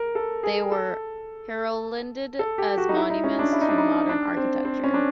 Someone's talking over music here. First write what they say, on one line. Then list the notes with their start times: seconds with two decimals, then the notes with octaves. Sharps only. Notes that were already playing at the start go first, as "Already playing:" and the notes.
They were heralded as monuments to modern architecture.
Already playing: A#4
0.15 A4
0.43 G#4
0.72 A4
2.39 A4
2.58 G4
2.78 F#4
2.89 D#4
2.97 E4
3.10 D#4
3.24 C#4
3.39 D4
3.52 E4
3.61 D#4
3.69 D4
3.78 D#4
4.09 D4
4.37 C4
4.65 C4
4.84 C#4
4.94 D4